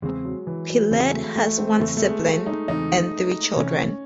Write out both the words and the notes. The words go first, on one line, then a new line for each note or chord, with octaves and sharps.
Peled has one sibling and three children.
E2 C#3 E3 G#3 C4
F#3
E3
F#3
E2 C#3 E3 G#3 C4
A3
A3
C4
E2 C#3 E3 A3 C4
A3
G#3
A3
D#4
E2 C#3 E3 C4 D#4
C2 C3 E3 A3 C#4